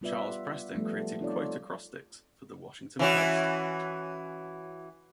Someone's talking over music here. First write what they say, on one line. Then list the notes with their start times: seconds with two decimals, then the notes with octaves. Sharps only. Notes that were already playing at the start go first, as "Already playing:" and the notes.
Charles Preston created Quote-Acrostics for the "Washington Post".
0.01 G3 B3 F4 B4 D5 E5
0.74 F3 G3 A3 B3
1.20 C4 D#4 F4 A4 C#5 D5
2.99 E3 C#4 F#4